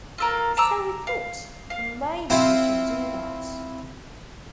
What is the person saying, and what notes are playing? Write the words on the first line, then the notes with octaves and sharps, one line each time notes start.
So we thought, maybe we should do that.
F4 A4 A#4
A5 A#5 D6 E6
F5
F5
C4 E4 F4